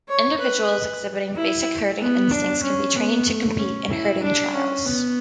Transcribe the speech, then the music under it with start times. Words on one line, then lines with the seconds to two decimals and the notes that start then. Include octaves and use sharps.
Individuals exhibiting basic herding instincts can be trained to compete in herding trials.
0.09 C#5
0.40 B4
1.36 E4
1.99 B3
2.31 D4
2.63 C#4
2.95 B3
3.27 A3
3.59 C#4
3.90 E4
4.23 D4
4.54 C#4
4.85 B3